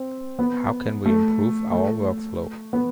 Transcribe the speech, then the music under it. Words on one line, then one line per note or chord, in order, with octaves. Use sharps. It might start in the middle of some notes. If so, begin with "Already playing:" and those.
How can we improve our workflow?
Already playing: C4
B3
A3
A3
B3